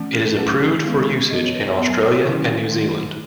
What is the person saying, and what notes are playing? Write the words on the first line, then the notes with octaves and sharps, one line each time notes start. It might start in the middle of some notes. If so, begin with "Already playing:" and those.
It is approved for usage in Australia and New Zealand.
Already playing: E3 A3 C#4
G#4
F#3 A3 C#4 B4
D#3 G#3 B3
E3 B3 D#5
C#5
B4
C#5
F#3 B3
D#3 F#3 C#4 E4
D#3 F#3 A3